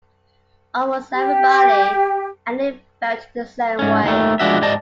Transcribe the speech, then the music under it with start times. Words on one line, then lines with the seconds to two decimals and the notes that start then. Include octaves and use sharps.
Almost everybody I knew felt the same way.
1.12 G4
3.79 G#2 C#4
4.03 D#2 D#3 A3
4.39 F3 G#3 D4 F#4 E5
4.62 G#2 G4 D5 D#5 A5